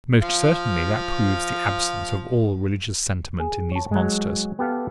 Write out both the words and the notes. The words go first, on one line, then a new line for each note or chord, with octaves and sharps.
Most certainly that proves the absence of all religious sentiment in these monsters.
F3 F5
G#4
C#5 A5
F#3 G#3
B3 G4 A4 F5